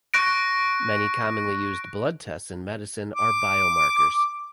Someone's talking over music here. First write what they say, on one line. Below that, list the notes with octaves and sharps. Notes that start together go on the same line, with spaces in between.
Many commonly used blood tests in medicine are biomarkers.
C#6 F#6 A#6 D7
D6